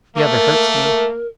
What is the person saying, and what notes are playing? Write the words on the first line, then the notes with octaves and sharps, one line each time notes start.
"The other hurts me."
A3 A#3 A#4